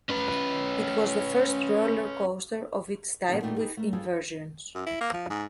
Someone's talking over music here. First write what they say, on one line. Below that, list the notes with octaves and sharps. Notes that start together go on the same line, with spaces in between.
It was the first roller coaster of its type with inversions.
C#4 B4
A#2 D#3 F3 F#3 C#4 G#4
E2 A#2 A3 D#4 G5
D#4 G4 G#4 B4
A3 A#4
G2 F3 G#4 A4
F#2
E4
A#3
F3
G#2